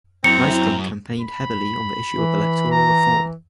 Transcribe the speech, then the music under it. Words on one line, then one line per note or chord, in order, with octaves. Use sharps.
Nystrom campaigned heavily on the issue of electoral reform.
F#2 C4 E4 A#5 C#7
B5
E3
A#5